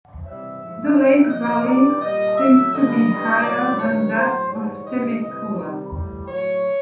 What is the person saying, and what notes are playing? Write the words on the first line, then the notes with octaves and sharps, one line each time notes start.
The lake valley seems to be higher than that of Temecula.
C3 E3 G3 E5
G#2 F3
G2 E3 G3 E5
A#2 F3 D#5
G2 E3 G3 D5
A#2 G3 D#5
A2 F#3 E5
G2 D3 F#3 D#5
G2 E3 G3
A2 F#3 D5
G2 D#3 F#3 C#5
A2 F#3 C5
G#2 E3 G3 C#5
G#2 E3 G3 D#5
C3 E3 G3 D#5
C3 D#3 G3
A2 E3 G3
A2 F#3 C#5